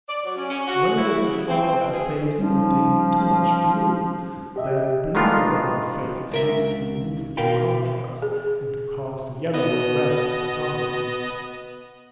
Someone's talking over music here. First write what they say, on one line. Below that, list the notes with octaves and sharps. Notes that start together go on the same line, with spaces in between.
When it is the fault of a face to contain too much blue, then blue around the face is used to remove it by contrast, and to cause the yellow and red to predominate.
D5
F#3
C#4
C#4
F#4
E4
C#3
C4
C4
B2
G#4
F3 G3 C#4 D#4
G4 D#5 E5
D#3 G#3 B3 D4 F4
C#2 A#4 E5
B2 A#4 F5 G5 B5
G#4
B2 B3 D#5